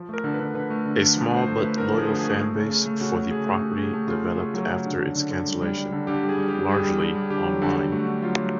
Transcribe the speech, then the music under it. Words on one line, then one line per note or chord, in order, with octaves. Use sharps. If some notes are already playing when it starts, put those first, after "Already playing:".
A small but loyal fanbase for the property developed after its cancellation, largely online.
Already playing: F3
A3 A#4
D3
B4
D3
D3 B4
A3
D3
D3
F3
A3
C5
D3
B4
A3
D3 A#4
F3 G#4
D3
A3 G#4
A3
C#3
C#3
A3
C#3 F#4
C#3
C#3 G#4
A3
C#3 G4
C#3 G#4
A3
C#3 F4
C#3
A3
F#3
C#3
D3
D3
D3
D3
G3
G3
G3
D3
D3 G4
G3
G#4
G3
G4
G3
G3 G#4
G3
G3
G3
D3 G4
F#3
D3
D3
A3 F#4
D3
F#3 F4
F#3